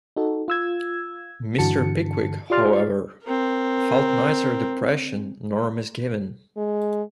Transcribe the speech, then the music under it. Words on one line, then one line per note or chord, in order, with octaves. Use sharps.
Mr. Pickwick, however, felt neither depression nor misgiving.
D#4 F#4 A4
F4 E6 G#6
G2 D3 E3 F#4 A5 C#7
F4 G4 D5 C6 F6 A6
C4 A#4
G#3